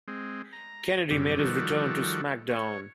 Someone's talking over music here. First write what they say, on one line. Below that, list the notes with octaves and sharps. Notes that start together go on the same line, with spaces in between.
Kennedy made his return to SmackDown!
G#3 C4
A#5
F#2 C3 G3
D#3 F3 G3 F#4 A4
C#5